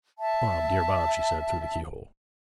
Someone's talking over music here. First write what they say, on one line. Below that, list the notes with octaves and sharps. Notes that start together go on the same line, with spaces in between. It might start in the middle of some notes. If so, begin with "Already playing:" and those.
'Bob, dear Bob!' she said, through the keyhole.
E5 A5